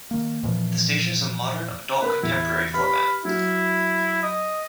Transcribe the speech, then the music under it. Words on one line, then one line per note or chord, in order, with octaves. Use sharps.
The station has a modern adult contemporary format.
D#3 A#3
F2 A#2 E3 F3
B3 A#4 B4 F#6
E2 E4
G4 B4 B5 F6
F#3 E4
D#5